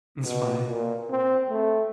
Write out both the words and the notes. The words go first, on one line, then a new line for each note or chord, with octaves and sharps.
It's funny.
B2
A#2
C4
A3